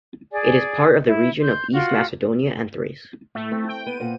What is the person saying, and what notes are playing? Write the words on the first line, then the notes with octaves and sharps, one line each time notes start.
It is part of the Region of East Macedonia and Thrace.
G#4 D5 G#5
E4
C6 G6
F4 F#4
A2 A3
C4
G5
B3 D#7
A#2 C5 F#5